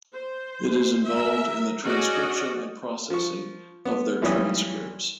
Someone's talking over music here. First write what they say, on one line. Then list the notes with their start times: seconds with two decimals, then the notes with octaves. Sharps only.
It is involved in the transcription and processing of their transcripts.
0.14 C5
1.06 A#4 E5
1.84 C#4 F#4 G#4 D5 D#5
3.10 F3 C#6
3.85 B3
4.22 B1 E3 G3 C#4 D#6